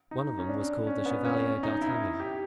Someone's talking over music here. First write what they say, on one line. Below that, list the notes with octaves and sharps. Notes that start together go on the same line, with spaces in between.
"One of them was called the Chevalier d'Artagnan."
D#4
C#4
D4
C#4
B3
C#4
D#4
E4
G4